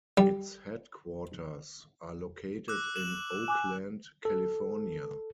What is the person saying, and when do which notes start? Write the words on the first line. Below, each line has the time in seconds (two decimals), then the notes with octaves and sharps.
Its headquarters are located in Oakland, California.
0.17 G3
2.68 D6 E6 F#6
2.96 E7 F#7
3.48 G#5 D6 F#6
4.25 A4